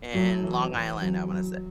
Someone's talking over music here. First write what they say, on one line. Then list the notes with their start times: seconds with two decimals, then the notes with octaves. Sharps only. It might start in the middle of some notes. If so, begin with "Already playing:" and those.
in Long Island, I wanna say
0.13 A2 F#3
0.43 E3
0.72 E3
1.00 F#3
1.30 F#3